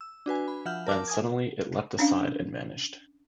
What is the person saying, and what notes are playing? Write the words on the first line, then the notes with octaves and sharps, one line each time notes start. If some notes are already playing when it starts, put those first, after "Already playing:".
Then suddenly it leapt aside and vanished.
E6
D4 F#4 B4 G#5
B5
F3 E5 F#5 F6 G6
A#4 A5 D6
G#5 D#6 G#6
C#4 D4 F5